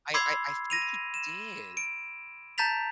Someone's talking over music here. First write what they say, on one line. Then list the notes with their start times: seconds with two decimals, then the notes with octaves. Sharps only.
I I I think he did.
0.14 B5 C6 D6 E6 G#6 C7
0.70 A#6 D#7 F7
1.14 E7
1.77 D7
2.58 A5 A#5 G6 A6 B6 F7